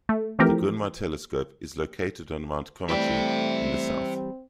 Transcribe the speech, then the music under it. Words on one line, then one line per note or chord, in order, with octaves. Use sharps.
The Gunma Telescope is located on Mount Komochi in the south.
A3
E3 F3 A3 C4 G4 A#4
E3 G3 A3 C4 E5 G5